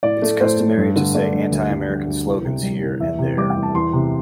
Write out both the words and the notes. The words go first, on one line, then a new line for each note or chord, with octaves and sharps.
It's customary to say anti-American slogans here and there.
A2 D5
A3
A2 C5
A3
G2
D3
A3 D5
G2
D2
D3
G3
D2
C2
C3
G3
C2
E2 E5
C3
G3 D6
G5
E2
A5
E2 C6
C3